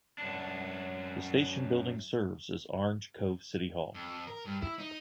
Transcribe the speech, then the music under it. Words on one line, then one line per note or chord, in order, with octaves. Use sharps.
The station building serves as Orange Cove City Hall.
F#2 D4
F2
A#4
G2
E4
D#4